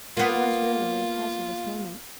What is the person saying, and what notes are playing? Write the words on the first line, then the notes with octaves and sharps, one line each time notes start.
It was really a hazardous moment.
A#3 B3 F4